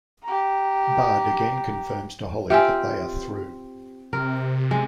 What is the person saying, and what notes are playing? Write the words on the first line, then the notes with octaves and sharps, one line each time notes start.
Bud again confirms to Holly that they are through.
G4 A#5
C4 F4 G4 E5 G#5
C3 A#4
G#3